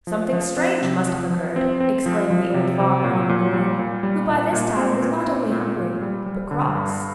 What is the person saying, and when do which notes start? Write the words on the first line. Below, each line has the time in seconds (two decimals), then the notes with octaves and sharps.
'Something strange must have occurred,' exclaimed the old farmer on the moor, who by this time was not only hungry, but cross.
0.07 F3
0.33 F3
0.56 C4
0.82 C3
1.06 F3
1.31 F3
1.56 C4
1.80 C4
2.06 F3
2.30 F3
2.54 C3
2.80 C3
3.04 A#2
3.29 A#2
3.53 G3
3.79 A#2
4.03 G3
4.28 A#2
4.53 A#2
4.77 C4
5.02 A#2
5.28 C4
5.52 A#2
5.76 A#2
6.02 G3
6.26 G3
6.51 D3
6.75 G2